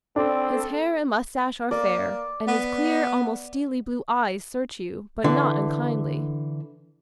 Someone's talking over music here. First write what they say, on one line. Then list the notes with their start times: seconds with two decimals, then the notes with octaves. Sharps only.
His hair and mustache are fair, and his clear, almost steely-blue eyes search you, but not unkindly.
0.16 C4 D4 A4
1.71 A#3 D5
2.48 B3
5.24 D3 E3